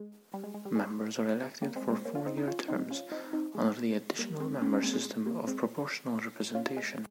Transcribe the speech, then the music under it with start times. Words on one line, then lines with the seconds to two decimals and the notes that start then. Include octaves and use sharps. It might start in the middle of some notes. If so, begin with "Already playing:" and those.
Members are elected for four-year terms under the Additional Member System of proportional representation.
Already playing: G#3
0.34 G3
0.44 G#3
0.54 G#3
0.65 G3
0.76 G#3
1.62 G3 A#3
1.76 G#3 C4
1.90 G#3 C4
2.05 A#3 C#4
2.15 C#4 F4
2.26 C4 D#4
2.37 C4 D#4
2.47 C#4 F4
2.68 C4 D#4
2.90 C#4 F4
3.12 C4 D#4
3.33 C4 D#4
3.55 G#3
4.19 G3 A#3
4.40 G#3 C4
4.62 A#3 C#4
4.73 A#3 C#4
4.83 G#3 C4
4.94 G#3
5.05 G#3
5.26 G3 A#3
5.47 G#3 C4
6.55 C#4 F4
6.77 G#3